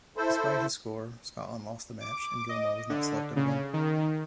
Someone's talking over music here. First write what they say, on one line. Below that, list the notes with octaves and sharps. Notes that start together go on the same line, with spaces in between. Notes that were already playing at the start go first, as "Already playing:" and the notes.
Despite his score Scotland lost the match and Gilmour was not selected again.
E4 A4 C5
D6
D#5
D3
C#3
D#3